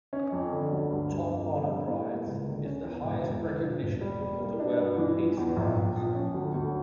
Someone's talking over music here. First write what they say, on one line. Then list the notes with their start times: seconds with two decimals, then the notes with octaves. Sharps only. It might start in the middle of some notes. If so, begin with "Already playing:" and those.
"Top Honor Prize" is the highest recognition of the World Peace Prize.
0.13 C#4
0.32 F2
0.52 D3
0.72 D2
0.90 G2
1.10 G2
1.29 F2
1.49 D3
1.68 G3
1.88 A2
2.07 A#3
2.27 C#2
2.46 D3
2.65 C#4
2.85 E2
3.04 E1
3.23 E1
3.43 D3
3.63 F3
3.82 E1
4.01 G3
4.21 G3
4.40 A#3
4.60 D4
4.79 G2
4.98 E3
5.18 F3
5.37 E2
5.57 A#1
5.76 A#1
5.96 F3
6.15 C#4
6.34 D2
6.54 D2